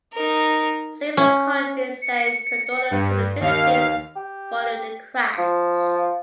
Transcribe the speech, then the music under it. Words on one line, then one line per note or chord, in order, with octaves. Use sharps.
Several countries sent condolences to the Philippines following the crash.
D#4 A#4
C#4
C#7
G2
D#2 F5
G4
F3